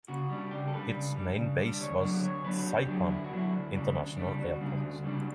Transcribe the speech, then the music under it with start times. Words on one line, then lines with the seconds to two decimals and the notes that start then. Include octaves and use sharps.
Its main base was Saipan International Airport.
0.08 C#3 F#4
0.29 G3 D4
0.51 C#3 G4
0.68 A4
0.73 G3 D4 B4
0.94 C#3
1.16 G3 D4
1.37 C#3
1.59 G3 D4
1.80 D2 C#5
2.02 D3 F#3 B3 D4
2.23 D2 C#5
2.45 D3 F#3 B3 D4 B4
2.58 F#4
2.66 D2 G4
2.88 D3 F#3 B3 D4
3.09 D2 E4
3.24 F#4
3.32 D3 F#3 B3 D4
3.39 E4
3.53 D2
3.74 C#3 G3 D4
3.96 D2
4.17 C#3 G3 D4
4.39 D2 F#4
4.61 C#3 G3 D4
4.82 D2
5.03 C#3 G3 D4